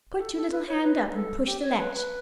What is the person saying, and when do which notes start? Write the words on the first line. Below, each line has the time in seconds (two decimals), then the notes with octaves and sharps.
Put your little hand up and push the latch.
0.14 G4
0.20 A4
0.36 A4
0.51 B4
0.67 C#5
0.83 B4
1.14 A4
1.46 G4
1.62 C#5
1.79 B4
1.94 B4